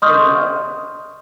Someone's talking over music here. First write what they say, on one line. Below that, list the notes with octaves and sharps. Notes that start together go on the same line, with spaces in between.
you know,
D#5 C6 C#6 D#6 F6 G6